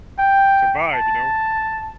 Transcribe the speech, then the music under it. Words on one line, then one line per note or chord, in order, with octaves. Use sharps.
survive, you know?
G5
A5